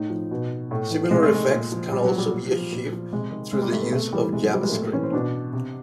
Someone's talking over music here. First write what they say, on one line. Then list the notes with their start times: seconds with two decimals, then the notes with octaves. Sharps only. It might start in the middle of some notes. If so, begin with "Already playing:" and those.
Similar effects can also be achieved through the use of JavaScript.
Already playing: A2 D#4
0.10 F3
0.31 B2
0.71 A2 A3
0.90 E3
1.11 C3 G#3
1.23 A3
1.31 D#3 G#3
1.51 A#2
1.72 F3
1.92 A#2 G3
2.05 F#3
2.11 F3
2.18 G3
2.31 A#2
2.51 F3
2.72 A#2
2.92 F3
3.13 C3 G#3
3.32 D#3
3.52 C3 G#3
3.62 G3
3.72 D#3 A3
3.82 B3
3.93 C3 A3
4.12 E3 G3
4.33 C3 G#3
4.43 F#3
4.53 F3 G3
4.62 G#3
4.69 A#3
4.72 A2 A3
4.82 A#3
4.93 E3 C#4
5.03 C4
5.13 B2 D4
5.53 C3